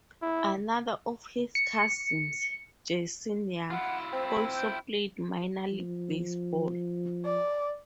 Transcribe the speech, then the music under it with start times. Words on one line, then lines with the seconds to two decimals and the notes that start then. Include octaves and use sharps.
Another of his cousins, Jason Young, also played minor league baseball.
0.22 E4
1.55 C#7
3.70 E4 F4 F#5
4.13 C4 C5
4.28 B5
4.54 G5
5.72 F3
7.25 D5